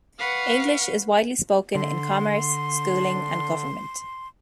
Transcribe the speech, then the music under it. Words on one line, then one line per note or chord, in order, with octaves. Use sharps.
English is widely spoken in commerce, schooling and government.
B4 F5 F#5 C#6
D3 C6